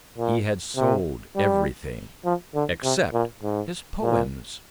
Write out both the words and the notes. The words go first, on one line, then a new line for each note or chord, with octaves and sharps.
He had sold everything--except his poems.
A#2
C3
G3
F3
D3
C3
A#2
G#2
A#2